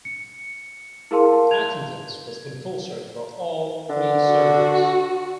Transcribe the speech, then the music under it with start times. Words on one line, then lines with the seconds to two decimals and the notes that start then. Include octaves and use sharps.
Attendance was compulsory for all 'free' surgeons.
0.05 C#7
1.11 E4 G#4 A#4 F5 A5 C6
1.51 G#6 F7
3.89 D3
4.27 F#4